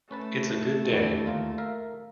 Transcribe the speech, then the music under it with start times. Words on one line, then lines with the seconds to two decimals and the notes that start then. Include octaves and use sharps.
It's a good day.
0.11 A3 C#4 B4 A5
0.90 E2 D3 G3
1.26 D#2 F4 A#5
1.58 A#4 E5 F5